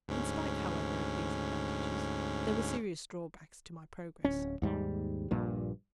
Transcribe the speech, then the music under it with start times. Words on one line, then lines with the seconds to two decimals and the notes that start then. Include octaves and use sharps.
In spite, however, of these advantages, there were serious drawbacks to my progress.
0.08 D2 G#2 C#4
4.24 D1 C#4
4.62 D#2 G#2 G3
5.31 A#1 G2 A#2